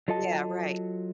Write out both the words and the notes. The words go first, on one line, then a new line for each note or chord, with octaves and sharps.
Yeah, right.
F#3 F4 A4 D#5 A5